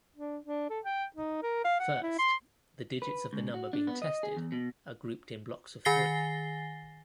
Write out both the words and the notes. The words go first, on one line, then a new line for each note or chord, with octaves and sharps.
First, the digits of the number being tested are grouped in blocks of three.
D4
D4
A4
G5
D#4
A#4
F5
F#5
E4
C6
B4
C#2
F#4
D4
B3
D#5
G#4
E2
B2
D#3 G#5 A6 A#6 C7 G7